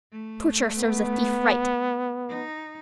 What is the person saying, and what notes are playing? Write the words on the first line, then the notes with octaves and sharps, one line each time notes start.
Torture serves a thief right.
A3
B3
D#4